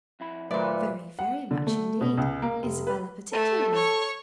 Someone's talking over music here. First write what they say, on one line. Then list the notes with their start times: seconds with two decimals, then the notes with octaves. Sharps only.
"Very, very much indeed: Isabella particularly."
0.20 F2 E4 B5
0.51 A#2 D#3 F#3 A3 B4 C5 D5 E5
1.19 F#5
1.51 D3
1.67 A3
2.01 B2
2.17 C#2
2.42 A#3
2.63 F1
2.87 B4
3.32 A3 A4
3.75 C#5 C#6